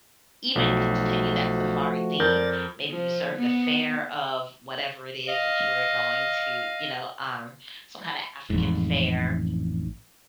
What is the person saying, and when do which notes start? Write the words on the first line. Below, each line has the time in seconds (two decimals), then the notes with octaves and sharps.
even continue that safari theme. Maybe you serve the fare of whatever it is that you were going to, you know, um, some kind of African fare,
0.56 B1 F3 A3 F#4
2.20 F2 A#4 D5 G6 A6
2.89 F3
3.35 B3
5.29 D#5 F5
8.50 A1 F2 G#2